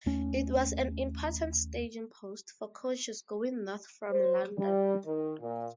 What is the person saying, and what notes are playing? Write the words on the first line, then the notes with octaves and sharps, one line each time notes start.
It was an important staging post for coaches going north from London.
D#2 A3 C#4
C5
G3
D#3
A#2